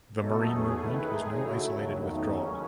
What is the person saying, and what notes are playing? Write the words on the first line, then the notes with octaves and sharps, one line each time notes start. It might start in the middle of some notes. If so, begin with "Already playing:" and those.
The Marine movement was no isolated withdrawal.
B2 F#3 A3 D#4 A4
E2 B2 A3 C#4 G#4
D#3 A3 E4 B4
A2 G#3 D#4 G#4
C#3 F#3 A3 E4
D#2 C#3 F#3
E2 D#3 A3 D#4
D#2 C#3 F#3 C#4